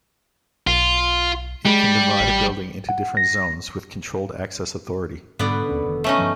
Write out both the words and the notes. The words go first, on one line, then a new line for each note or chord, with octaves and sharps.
It can divide a building into different zones with controlled access authority.
B1 F4
G3 G#3
G#1
F#5
A#6
G#2 B2 D3 G3 B3 B4 D5
D#2 C#4
F1 D#3
A3 C#4 D#4
G2 F3